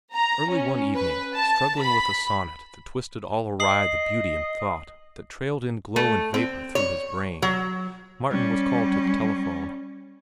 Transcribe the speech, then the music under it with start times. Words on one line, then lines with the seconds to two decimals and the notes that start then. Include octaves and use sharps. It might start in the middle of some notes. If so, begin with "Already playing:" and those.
Early one evening, struggling with a sonnet that twisted all awry the beauty and thought that trailed in glow and vapor through his brain, Martin was called to the telephone.
0.14 A#5
0.50 C#4
0.95 B4
1.35 A5
1.81 B5
3.60 D#5 D#6 C7 F#7
5.96 A3
6.34 C4
6.75 C#5
7.42 F#3
8.29 G3 C#4